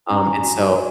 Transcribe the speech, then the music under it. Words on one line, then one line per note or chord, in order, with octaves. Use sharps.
um, and so
C#4 A#5
G#5
F#4
F#4